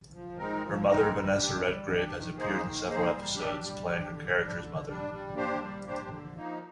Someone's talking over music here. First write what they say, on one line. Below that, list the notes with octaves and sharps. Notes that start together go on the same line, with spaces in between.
Her mother, Vanessa Redgrave, has appeared in several episodes, playing her character's mother.
F3
G#3 C4 D#4 A#4
F3
G#3 C4 D#4 A#4
G3
D4 G4
G3
D4 G4
D#3
A#3 D#4 G#4 C5
D#3
A#3 D#4 G#4 C5
G3
D4 G4
G3
D4 G4
D3
G3 D4
D3
G3 D4
G3
A#3 D4 G4 C5
G3
A#3 D4 G4 C5
D3
F3 A#3 D#4